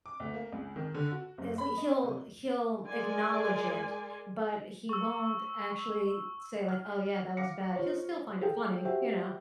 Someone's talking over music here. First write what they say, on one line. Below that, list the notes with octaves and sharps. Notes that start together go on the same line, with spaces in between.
at lea he'll he'll acknowledge it, but he won't actually say, like, "Oh, yeah, that was bad." He'll still find it funny, you know?
D6
D2
A#3
C#2
D#3
D3
F#4
F#1
B5
D#5
C3
G#3 A#4 D5 G#5 C6
C#6 E6
F6
F5 F#5 D6 A#6 C#7
F4 C5 C#5
G#4 A4 G5
F#4 G4 C5 E5 G5